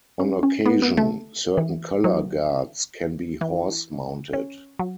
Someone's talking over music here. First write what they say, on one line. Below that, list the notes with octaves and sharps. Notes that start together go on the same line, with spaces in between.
On occasion, certain color guards can be horse-mounted.
C#4
C#4
B3
B3
A3
E3
F#3
E3
C#4
F#3